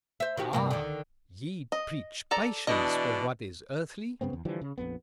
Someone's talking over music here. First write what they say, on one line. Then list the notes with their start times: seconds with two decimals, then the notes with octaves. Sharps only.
Ah! ye preach patience with what is earthly?
0.20 C5 E5
0.37 D#3 F#4 G4
0.53 G2 C3 A#3
0.71 D3 D#3
1.72 D#5
2.31 A4 D5 A#5
2.67 B2 E3 D4 E4 D#5
4.21 G2 C#3 B3 C4
4.33 E2
4.45 D3 E3 F3 G3
4.61 C#3
4.78 A#1 F2 B3